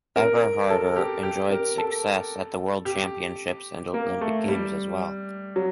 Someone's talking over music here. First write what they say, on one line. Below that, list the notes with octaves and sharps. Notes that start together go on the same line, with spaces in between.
Eberharter enjoyed success at the World Championships and Olympic Games as well.
A#4
A4
G4
G4
A#4
A4
G4
A#3
A3
G3
F#3